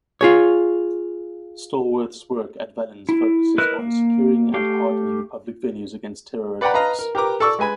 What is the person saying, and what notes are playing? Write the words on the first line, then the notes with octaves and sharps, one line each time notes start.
Stallworth's work at Valens focuses on securing and hardening public venues against terror attacks.
F4 G#4 C#5
E4
E4 A#4 B4 D#5 F#6
A#3
A3 G4 F5
B4 D5 F#5 G5 A#5 B5
B4 D#5 F5 A5 A#5
A#4
G4 A#4 B4 A#5 D6
A4 D5 C#6 E6
G#3 B4 G#5 B5